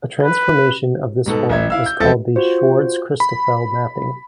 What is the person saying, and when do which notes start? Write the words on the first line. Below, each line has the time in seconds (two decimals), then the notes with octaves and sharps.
A transformation of this form is called a "Schwarz-Christoffel mapping".
0.23 B4
1.26 G#2 B2 A4
1.49 A1 E5 G#6
1.70 E4 F5 E6
1.86 G6
2.00 E1 F3 C4 A4 E5 A6
2.36 F4 F#4 C5
3.20 B5